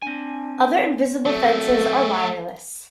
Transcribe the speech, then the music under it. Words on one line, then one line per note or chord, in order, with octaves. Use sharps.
Other invisible fences are wireless.
C4 D4 G#5
F#3 A3 A4